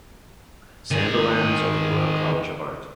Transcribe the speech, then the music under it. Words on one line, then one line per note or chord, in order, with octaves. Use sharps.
Sandilands of the Royal College of Art.
D#3 G#4